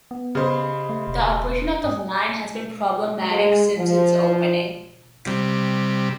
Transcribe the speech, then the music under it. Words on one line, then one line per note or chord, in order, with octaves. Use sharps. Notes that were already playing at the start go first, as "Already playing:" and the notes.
The operation of the line has been problematic since its opening.
B3
C#3 G4 C5 D#5 B5
A3
E1
G#2 G5 G#5 D#6
G#3
F3
C3 G3